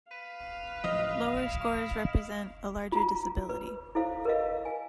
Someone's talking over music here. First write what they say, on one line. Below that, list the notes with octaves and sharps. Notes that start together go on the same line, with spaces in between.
Lower scores represent a larger disability.
B4 F5
D1 A1 F3 D#5
E4
F4 A#5
B4
E4 A4 C5 F5
A#4 B4 D#5 F5
G#5